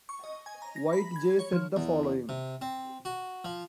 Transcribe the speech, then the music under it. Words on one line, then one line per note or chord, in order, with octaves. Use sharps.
White J said the following.
C#6
D#5
G#5
A#5
A#6
B5
G#6
C#5
F3
E2
C3
C4
F#4
F3